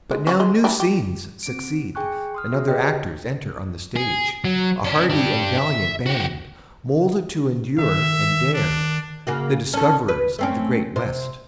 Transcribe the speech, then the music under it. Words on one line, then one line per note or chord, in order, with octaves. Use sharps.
But now new scenes succeed, and other actors enter on the stage, a hardy and valiant band, moulded to endure and dare,--the Discoverers of the Great West.
G#3
C#4 F#4
G#3
E3 G3 D4
G4
C4 D7
G#4 G5 G#5 C#6 F#6
C6 D#6 F6
F#4 G#4 E5
G4 G#4 B4 C#5 D#5 G5
G#4
F#3
C#4 D4
D4 G4
E5
F#4 G4
D#3 E5
D4
C#3 A#3 F#4
C#4 A4
B4
A3 C4 C#4
C3 C5